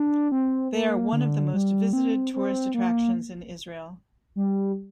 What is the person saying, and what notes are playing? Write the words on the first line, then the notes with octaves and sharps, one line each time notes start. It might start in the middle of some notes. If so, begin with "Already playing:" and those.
They are one of the most visited tourist attractions in Israel.
Already playing: D4
C4
A#3
D3
G3
C4
C4
A#3
G3